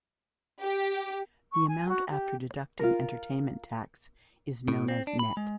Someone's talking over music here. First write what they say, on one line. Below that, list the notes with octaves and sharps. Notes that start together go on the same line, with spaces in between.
The amount after deducting entertainment tax is known as nett.
G4
C#6
G#5
F#4
G4
F4 A#4
A2
C4
D4
B5
G#3